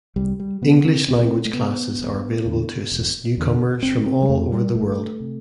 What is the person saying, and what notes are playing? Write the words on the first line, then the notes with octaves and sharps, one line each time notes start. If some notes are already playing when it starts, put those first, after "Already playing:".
English language classes are available to assist newcomers from all over the world.
C2 G3
G3
C3 B3
C4
C2 C4
B3
C4
A3
C3 B3
E1
E2 D3
E1
E2 D3
G1 C4
C4
G3
F2 C3 A3
G3
G1 A3
C3